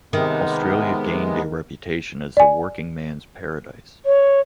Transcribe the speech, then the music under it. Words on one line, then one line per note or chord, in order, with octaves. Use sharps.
Australia gained a reputation as the working man's paradise.
C3 D#3 G#3 B3
D5 G#5
C#5